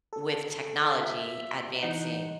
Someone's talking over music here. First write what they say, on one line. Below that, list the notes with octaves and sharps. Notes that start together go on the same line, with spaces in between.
with technology advancing,
A4
F4 E5
E3 D#4 F#5 C#7